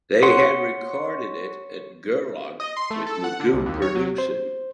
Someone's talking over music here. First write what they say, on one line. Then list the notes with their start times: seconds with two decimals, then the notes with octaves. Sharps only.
They had recorded it at Gerlog with Magoo producing.
0.23 C#5 F#5 C6
2.60 D#5
2.77 C6
2.91 A3
3.07 A4
3.24 F#5
3.40 D3
3.53 C2
3.66 D#2
3.82 C#5
3.95 F#3
4.18 C5